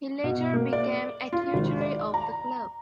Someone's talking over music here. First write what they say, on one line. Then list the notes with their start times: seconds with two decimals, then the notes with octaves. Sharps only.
He later became actuary of the club.
0.24 B2
0.53 A#3
0.73 D5
1.33 F4
1.54 G#1
1.81 D5
2.14 A#5